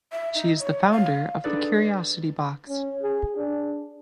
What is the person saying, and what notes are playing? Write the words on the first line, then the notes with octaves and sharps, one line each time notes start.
She is the founder of The Curiosity Box.
E5
D#4
C#5
F5
D4 D#4 G#4 A4 B4 D5
C#4
G#4
D4